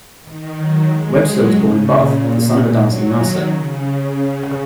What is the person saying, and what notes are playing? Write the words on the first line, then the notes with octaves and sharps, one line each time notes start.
Webster was born in Bath, the son of a dancing master.
D#3
F#3
G#3
F#3
C#3
A#2
A#2
F#3
D#3
C#3